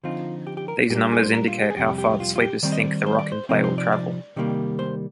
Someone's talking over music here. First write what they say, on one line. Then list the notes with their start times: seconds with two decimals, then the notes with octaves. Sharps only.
These numbers indicate how far the sweepers think the rock in play will travel.
0.04 D3 F3 C4 D#4 F4
0.47 G4
0.57 G4
0.68 A#4
0.90 A#2 G3 A#3 D4 G4
1.12 G#4
1.23 C5
1.33 A#4
1.48 F4
1.62 G4
1.70 G#4
1.76 F2 C3 G3 G4
1.98 G4
2.20 F4
2.36 F4
2.41 G4
2.63 D#3 G3 C4 D5
2.72 D#5
2.80 D5
3.06 C5
3.19 D5
3.32 C5
3.49 C3 F3 C4 D#4 A#4
3.64 C5
3.78 D5
3.92 D5
4.36 C3 D#3 G3 A#3
4.79 C5